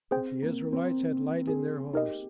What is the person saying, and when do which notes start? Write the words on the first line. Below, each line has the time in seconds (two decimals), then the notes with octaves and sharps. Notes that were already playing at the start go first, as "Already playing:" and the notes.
But the Israelites had light in their homes.
0.11 C4 G#4 C5 G5
0.42 A#3
0.73 C4
1.47 G#4
1.94 D#4 G4 A#4 D#5